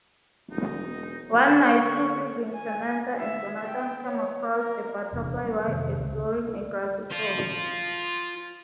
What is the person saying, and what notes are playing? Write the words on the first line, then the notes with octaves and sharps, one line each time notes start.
One night two siblings-Samantha and Johnathan-come across a butterfly while exploring a grassy field.
E1 D#4
D3 C#6
G#5
E5
G5
C#5
A#4
E1 C3 E3 D4
G3 A#3 B3 C#4
F2 C3 D#3
C#2 C#3 G#3 C4
F4 C5